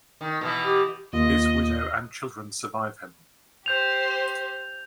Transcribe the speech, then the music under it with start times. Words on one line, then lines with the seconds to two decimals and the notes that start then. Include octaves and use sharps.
His widow and children survive him.
0.21 D#3
0.41 B2 E3
0.65 G4
1.13 D#2 A#3 F4 D#5
3.66 G4 C5 G6 F7